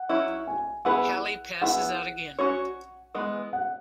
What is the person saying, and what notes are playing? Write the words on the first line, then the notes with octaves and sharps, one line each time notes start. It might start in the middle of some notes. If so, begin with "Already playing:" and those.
Hallie passes out again.
Already playing: F#5
F#3 C#4 E4
G#5
E3 B3 E4 G#4 B4 F#5
B3 E4 G#4 F#5
C#4 F#4 C#5
E3 G#3 B3
F#5